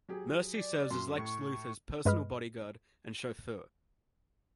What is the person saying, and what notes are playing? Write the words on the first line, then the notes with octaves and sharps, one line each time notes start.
Mercy serves as Lex Luthor's personal bodyguard and chauffeur.
F#3 G4 G#4
D5
F#2 C6
A2 C#6
G2 G#3 B4 D#5 B5 F6